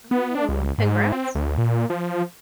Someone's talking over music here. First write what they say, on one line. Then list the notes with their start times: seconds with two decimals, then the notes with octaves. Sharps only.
Ooh, congrats.
0.11 B3
0.35 D4
0.49 C#2
0.78 G#2
1.12 C4
1.35 D2
1.58 A#2
1.90 F3